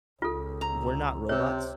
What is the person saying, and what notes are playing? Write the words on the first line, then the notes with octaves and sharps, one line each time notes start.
we're not robots,
C#2 F4 A4
A#5
C3 C#5